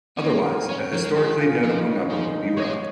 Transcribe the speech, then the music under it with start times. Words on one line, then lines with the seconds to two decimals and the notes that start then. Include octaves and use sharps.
Otherwise a historically notable number would be run.
0.17 C#4
0.22 A#3 C#5
0.46 A#4
0.69 C#4 C#5
0.93 F3 A#4
1.04 G#3
1.16 F3 G#4
1.40 F4
1.63 F3 D#4
1.87 C#4
2.10 F3 D#4
2.33 D#4
2.57 G#3 C#5